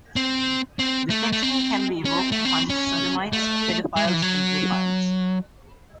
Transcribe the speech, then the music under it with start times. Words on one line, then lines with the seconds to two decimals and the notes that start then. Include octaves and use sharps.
The section can be evoked to punish sodomites, pedophiles and zoophiles.
0.16 C4
0.79 C4
1.10 A3
1.32 A3
1.43 C4
2.05 C#4
2.19 C4
2.32 A3
2.45 C4
2.70 C#4
3.33 A3
3.96 G#3
4.05 F#3
4.14 E3
4.22 F#3